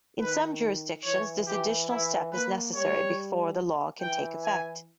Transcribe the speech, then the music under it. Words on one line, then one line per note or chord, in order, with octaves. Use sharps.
In some jurisdictions, this additional step is necessary before the law can take effect.
D#3 B4
E3 C#5
E3 G4
E3 E4
A#3 B4
G3 C#5
E3 G5
G#5